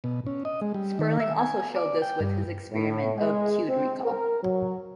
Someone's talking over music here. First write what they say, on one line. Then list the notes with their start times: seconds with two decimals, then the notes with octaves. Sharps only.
Sperling also showed this with his experiment of cued recall.
0.04 B2
0.27 C#4
0.45 D#5
0.62 G#3
0.74 G3
0.99 D#3
1.20 E5
1.39 G#5
1.76 D5
2.02 G5
2.20 G2
2.72 A2
3.18 G#3
3.69 C4
4.05 A#4
4.43 F#3